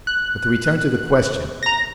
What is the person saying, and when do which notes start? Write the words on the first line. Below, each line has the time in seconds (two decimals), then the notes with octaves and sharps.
But to return to the question.
0.07 F#6
1.63 A#5 A#6